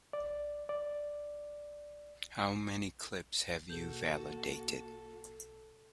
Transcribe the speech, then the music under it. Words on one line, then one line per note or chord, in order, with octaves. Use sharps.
How many clips have you validated?
D5
D5
B2 A#3 F#4 G#4 A4 G6